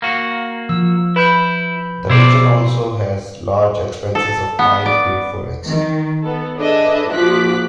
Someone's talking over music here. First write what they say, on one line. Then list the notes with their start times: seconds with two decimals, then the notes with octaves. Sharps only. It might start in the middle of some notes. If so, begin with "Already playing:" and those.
The region also has large expanses of pine tree forests.
0.02 A#3 F#4
0.69 F3 E6
1.16 E4 B4 B5 G6
2.10 B2 E4 C5 D5
4.15 A4
4.59 B3
4.86 D5
5.65 D#3
6.22 B3 A4
6.57 D4 G#4 A4 B4 D#5 E5
7.11 A#1 F3 F#4 D6 F#6 B6